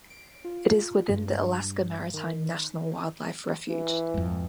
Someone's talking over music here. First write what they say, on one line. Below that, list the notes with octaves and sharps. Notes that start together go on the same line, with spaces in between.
It is within the Alaska Maritime National Wildlife Refuge.
D7
F4
G2
D#3
E3
F2 G#2